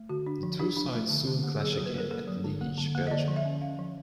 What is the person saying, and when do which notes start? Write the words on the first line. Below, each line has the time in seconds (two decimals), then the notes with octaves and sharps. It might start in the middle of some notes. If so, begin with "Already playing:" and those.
The two sides soon clash again at Liege, Belgium.
Already playing: A3
0.09 D3 F#4
0.27 D4
0.43 F3
0.59 D4 G4
0.77 D4
0.93 A3
1.10 D3
1.27 D3
1.44 A#3
1.60 F#3 G#4
1.73 F#3 A4
1.86 B4
1.94 A#3 A#4
2.11 A#3 A4
2.28 F#3
2.44 D3
2.61 A#3
2.78 D3
2.95 A#3
3.07 D#5
3.11 D3 D5
3.28 F3
3.36 E5
3.45 C#4
3.61 C#4 F5
3.79 F3